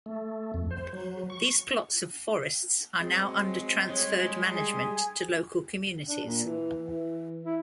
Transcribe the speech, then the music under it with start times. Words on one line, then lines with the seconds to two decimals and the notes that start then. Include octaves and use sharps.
These plots of forests are now under transferred management to local communities.
0.06 A3
0.54 F2
0.71 C5
0.93 F#3
1.30 C#6
2.99 F#3 G#3 C4
3.89 G3 G#3 C#5 C6
4.53 G#4 G#5
6.07 D4
6.24 A#2
6.44 E3
6.81 E3
7.45 E4